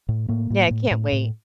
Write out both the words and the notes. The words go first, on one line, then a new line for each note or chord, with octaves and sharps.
Yeah, I can't wait.
A2
A2 A#3
A2
A2
A2
A2